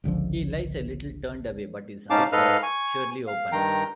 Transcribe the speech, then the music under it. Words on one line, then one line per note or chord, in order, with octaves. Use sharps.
He lies a little turned away, but his eyes are surely open.
G#1 C#2 D3 F3
G#2 C#4 D#4 F5 A5 D6
G#2 A4 B4 D#5 F5 F6
G#5 C#6
F5
G2 D#3 G5 A#5